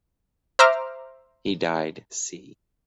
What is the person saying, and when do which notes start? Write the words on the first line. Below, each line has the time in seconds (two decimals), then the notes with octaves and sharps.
He died "c".
0.59 C5 E5 A#5 D6 F6